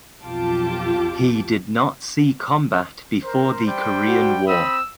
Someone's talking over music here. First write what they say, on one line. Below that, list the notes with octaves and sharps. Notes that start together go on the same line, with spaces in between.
He did not see combat before the Korean War.
B1 F2 F4 G4 A5 D6
A#4 C5
G3 C5 G5
F#4
C4 B5 D#6 E6